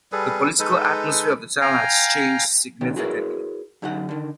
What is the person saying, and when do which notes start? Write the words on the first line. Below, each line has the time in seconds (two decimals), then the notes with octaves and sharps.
The political atmosphere of the town has changed significantly.
0.12 G3 G#4 A4 B4
0.59 G#3 D#4 A4 B4
1.61 F5 G5 G#5 A#5
2.81 C3 D#3 B3 C#4
2.96 E4 F#4 G#4 A#4 B4 C#5
3.82 F#2 D3 D#4 G4 F#5
4.09 D3 D#3